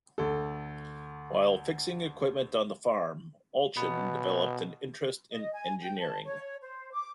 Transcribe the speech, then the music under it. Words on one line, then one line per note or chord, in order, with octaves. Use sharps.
While fixing equipment on the farm, Allchin developed an interest in engineering.
D2 A4
B2 B3
D#5
G#5
G5
A5
C#5
C5
D6